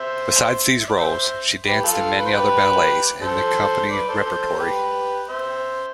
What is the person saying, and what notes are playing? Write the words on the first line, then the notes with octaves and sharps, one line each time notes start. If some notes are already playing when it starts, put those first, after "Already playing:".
Besides these roles, she danced in many other ballets in the company repertory.
Already playing: C5 E5
E5
D5
C5 E5
G4 B4
F4 A4
B4
C5
G4 B4
A4 C5
B4 D5
A4 C5
A4 C5
G4 B4
C5 E5